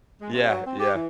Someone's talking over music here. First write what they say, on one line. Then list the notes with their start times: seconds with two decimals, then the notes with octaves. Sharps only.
Yeah, yeah.
0.21 G#3
0.33 C3
0.48 F#3
0.66 C4
0.79 G4
0.95 E3